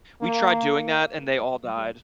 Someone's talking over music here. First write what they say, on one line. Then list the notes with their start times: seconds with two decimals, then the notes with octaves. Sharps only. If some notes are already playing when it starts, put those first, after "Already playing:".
We tried doing that and they all died.
0.21 A#3